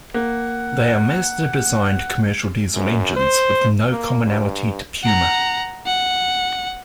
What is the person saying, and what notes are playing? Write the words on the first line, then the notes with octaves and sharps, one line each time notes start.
They are Mazda designed commercial Diesel engines with no commonality to Puma.
A#3 F#5
F#2
C5
A#3
G2
F#5 A#5
F#5